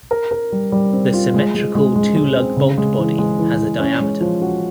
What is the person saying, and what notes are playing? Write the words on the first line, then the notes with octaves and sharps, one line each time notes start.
The symmetrical two-lug bolt body has a diameter.
A#4
A#4
G3
G3
C4
F4
G#3
G#3
G#3
G#3
G#3
C4
C#3
G#3
E3
G#3
E3
E3
C#4
G#3
F3
F#4